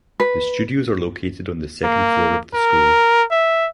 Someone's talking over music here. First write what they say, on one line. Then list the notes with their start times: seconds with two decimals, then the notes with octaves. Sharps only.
The studios are located on the second floor of the school.
0.20 B4
1.84 A#3
2.54 A#4
3.31 E5